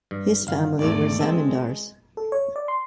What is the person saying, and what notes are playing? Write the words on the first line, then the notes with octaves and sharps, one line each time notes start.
His family were zamindars.
G2
G1 F5
G#1 E2 A3 D5
G#3 C4 A4
A4
C#5
D5
C6